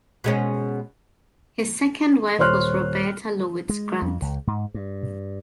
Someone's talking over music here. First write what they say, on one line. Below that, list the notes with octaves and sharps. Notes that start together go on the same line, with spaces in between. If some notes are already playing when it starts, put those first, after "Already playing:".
His second wife was Roberta Lowitz Grant.
B2 G#3 C#4
D#1 C5 C#5 C6 F6 F#6
G#3
F2
C#2
G#2
G2